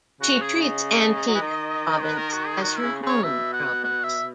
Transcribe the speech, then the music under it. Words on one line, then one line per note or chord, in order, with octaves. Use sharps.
She treats Antique province as her home province.
C#3 F#4
G#4
D#5
F#3
E3
D#3
B4
A#4
F#4
G#4
D#3 F#4
E4
C#3
C#3
C#5
B2 E5
F#5
F#5
E5